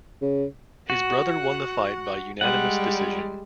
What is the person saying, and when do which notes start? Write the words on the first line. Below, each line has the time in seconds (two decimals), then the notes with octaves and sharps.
His brother won the fight by unanimous decision.
0.22 C#3
0.90 F#4 F#5
2.41 G3 G#3 F#5